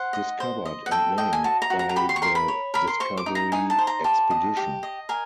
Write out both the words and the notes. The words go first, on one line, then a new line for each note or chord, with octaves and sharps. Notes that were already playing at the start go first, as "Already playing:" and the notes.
Discovered and named by the Discovery Expedition.
Already playing: C5 F#5
D#5
C5
D#5
F#5
A4 G5
D#5 G5
G#5
F#4 A5
A#5
F#4
A#5
A#5
G4 B5
C6
C#6
A#4 C6
B5
C#5
A#4 B5
C6
C5 C#6
D6
D#4
A#5
D#4 G#5
A5
C5
A#5
G4 A5
D#5
G4
D#5
A#4 G#5